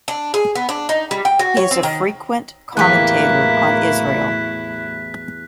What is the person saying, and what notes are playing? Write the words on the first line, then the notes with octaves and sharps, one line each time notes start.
He is a frequent commentator on Israel.
D4
G#4
B3
D4
D#4
G3
G5
F#4
C#5
C4
D#3
E2 A2 F#3 A#3 E4 G4 F#6 B6